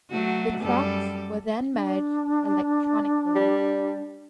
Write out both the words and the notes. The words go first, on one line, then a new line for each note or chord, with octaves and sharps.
The tracks were then merged electronically.
F#3 A3 F#4
F#2 G3 A4
D4
G3